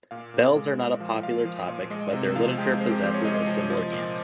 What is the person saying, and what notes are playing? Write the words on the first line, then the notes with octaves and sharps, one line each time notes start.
Bells are not a popular topic, but their literature possesses a similar gambit.
A#2 F5
A#2
G#3
A#2
F3 F5
F3 F5
F3
A#2
G#3 D#5
C3
F3 F5
G#3 G5
G#3 C5
G4
F3 G4
C#5
G#3 D#5
F3
F3
A#2